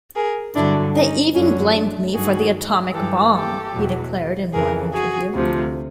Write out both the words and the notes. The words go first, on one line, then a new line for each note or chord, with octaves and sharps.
"They even blamed me for the atomic bomb," he declared in one interview.
G#4 A#4
G2 D3 F#3 D4 E4
C#4 D#4
F#2 D3 F#3 C#4
D4
G2 D#3 F#3 F#4 G#4
G2 E3 G4 A4
G4 A4
E2 B2 F#3
F2 C#3 E3 G#4 A#4
F#4 G#4
D2 C3 F3